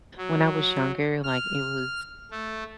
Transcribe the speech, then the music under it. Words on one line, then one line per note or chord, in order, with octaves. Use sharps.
when I was younger, like, it was,
F#3
F6
A3